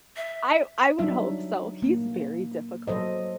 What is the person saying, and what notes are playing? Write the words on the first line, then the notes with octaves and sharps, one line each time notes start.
I I would hope so, he's very difficult.
E5
F#3 G3 D4 D#4 E5
A#3
F#3 A4 C5 D#5